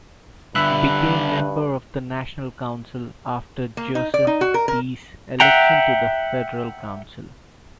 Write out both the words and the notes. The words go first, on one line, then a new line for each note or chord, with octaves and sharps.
Became member of the National Council after Joseph Deiss' election to the Federal Council.
G2 D3 G3 E5 B5 F#6
A#3
D#4
D5
D#4
F#4
A#4
A#4
E5 F#5 G5 A#5